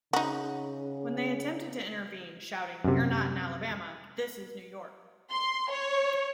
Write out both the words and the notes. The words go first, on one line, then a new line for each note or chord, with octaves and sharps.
When they attempted to intervene, shouting, You're not in Alabama...this is New York!
C#3 D#4 F#4
F#2 C3
C6
C#5